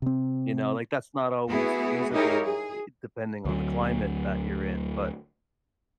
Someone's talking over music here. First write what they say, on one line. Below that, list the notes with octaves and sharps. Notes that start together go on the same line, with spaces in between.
you know, like, that's not always feasible, i depending on the climate that you're in, but
C3 C4
A3 B3 E4 F#4 G#4
D#4 E4 G4 G#4 A#4 C#5
G#4
D2 F#3